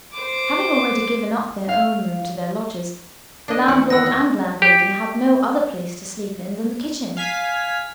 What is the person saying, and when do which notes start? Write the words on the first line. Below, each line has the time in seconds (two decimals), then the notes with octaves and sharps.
Having already given up their own room to their lodgers, the landlord and landlady had no other place to sleep in than the kitchen.
0.12 C5 D6
1.69 F5
3.48 D4 D#5
3.68 E2 F#5
3.90 D#3 F#5 E6 A#6
4.62 G4
7.17 F5 G#5 B6